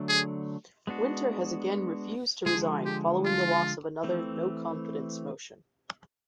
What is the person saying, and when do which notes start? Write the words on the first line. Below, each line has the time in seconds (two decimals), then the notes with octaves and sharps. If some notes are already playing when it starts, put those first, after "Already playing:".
Winter has again refused to resign following the loss of another "no-confidence" motion.
Already playing: D3 F#3 A3 D4
0.09 G#4
0.87 G#3 B3 D4 F#4
2.46 D3 F3 G#3 G#4
2.85 G4
3.25 F4
4.04 E3 A3 C4